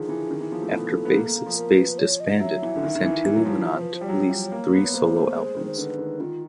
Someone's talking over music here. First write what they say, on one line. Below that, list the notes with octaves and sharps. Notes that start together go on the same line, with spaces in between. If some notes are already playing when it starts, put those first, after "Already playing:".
After Bass is Base disbanded, Santilli went on to a release three solo albums.
Already playing: D3 D#3 F3 G#4
E3
D#3
E3
F3
A3
B3 A4
B3
A#3
A#3
A#3
F3
A#4
B4
C#5
D#5
F#3 E5
E3
D3
D#3
D#3
E3
E3
F#3
F3
E5
C5
B4
C5
G3
D5
F#3 C#5
G3
A#3
B3
C#5
A#3 C5
A3
G#3
D#3
C5
D3 B4
D#3
D#3 F4